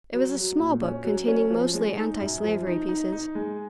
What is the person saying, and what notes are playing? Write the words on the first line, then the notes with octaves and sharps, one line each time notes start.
It was a small book, containing mostly Antislavery pieces.
F#3
F#3
A#2
C#4
F#3
C#4
F3
G#3
D#4
F#2
F3
D#4
D#4
D#4
G#3